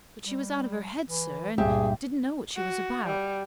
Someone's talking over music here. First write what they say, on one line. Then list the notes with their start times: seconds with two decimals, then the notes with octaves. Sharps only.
But she was out of her head, sir, and didn't know what she was about.
0.24 G3
1.08 E3
1.58 C#2 G2 A#2 G4 G#4 E5
2.56 F#4
3.05 G3